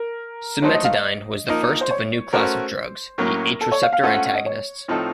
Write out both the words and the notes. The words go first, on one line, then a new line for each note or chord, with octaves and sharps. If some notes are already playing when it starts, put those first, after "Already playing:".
Cimetidine was the first of a new class of drugs, the H-receptor antagonists.
Already playing: A#4
F#3 A3 D#4 A4 C5 C#5
D#5
F5
D#5
F3 A#3 D#4 A#4
C5
C#5
A3 C#4 F#4 A#4 C5
A2 F#3 A#3 C#4 A#4
A4
C#5
F5
F5
A3 C#4 F4 A4 C5 F#5
F#5
F#5
D#5
C#5
A2 F3 C4 D#4 A4